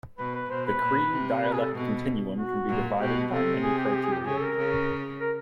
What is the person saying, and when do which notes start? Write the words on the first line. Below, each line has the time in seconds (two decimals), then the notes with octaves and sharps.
The Cree dialect continuum can be divided by many criteria.
0.18 B2 B4
0.35 B4
0.50 B2 C5
0.66 B4
0.82 A#2
1.12 C3
1.44 B4
1.53 G#4
1.60 A4
1.75 B2
2.37 F#4
2.69 A#2
3.00 B2 G4
3.31 C3 A4
3.63 G#4
3.78 G4
3.86 G#4
3.95 G4
4.03 G#4
4.11 G4
4.25 C#3 G#4
4.37 A4
4.40 A#4
4.57 C#3
5.20 A#4